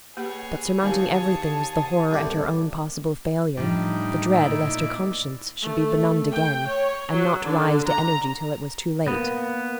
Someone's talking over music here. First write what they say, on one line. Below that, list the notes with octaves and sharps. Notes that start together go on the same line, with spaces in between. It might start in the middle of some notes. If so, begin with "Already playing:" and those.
But surmounting everything was the horror at her own possible failure, the dread lest her conscience should be benumbed again, and not rise to energy till it was too late.
A#3 G4 G#4 B4 C#5 F#5
D#2 D#4 G4 G#5 A5
C2 A2 B3 D5
A2 F3 G3 D4 D#4
A#2 E4 D5
A3
G5
C#5
F#3
D3
A#5
A#3 B3